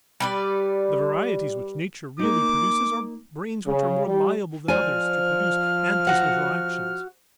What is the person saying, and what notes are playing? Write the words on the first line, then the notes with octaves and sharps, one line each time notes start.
The varieties which nature really produces are brains which are more liable than others to produce antisocial actions.
G3 B4 D5
A#3 D#4 D6
C#3
G3
F3 C5 D5 G#5 F6
F#4 F#5